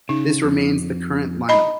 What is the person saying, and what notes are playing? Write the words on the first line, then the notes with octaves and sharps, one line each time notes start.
This remains the current lineup.
C#3 D#4
F2
D#4 D#5 B5